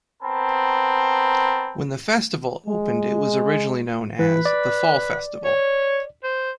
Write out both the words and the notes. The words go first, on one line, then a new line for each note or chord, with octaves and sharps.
When the festival opened it was originally known as the "Fall Festival".
B3 C4 A#4 A5 B5
G#3
E3 B4
D5
C#5
C5